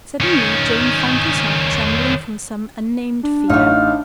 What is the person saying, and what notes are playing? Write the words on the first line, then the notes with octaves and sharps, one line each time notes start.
Suddenly Jane found herself trembling from some unnamed fear.
D#3 C#4
D4
A1 D#4 C#5 F5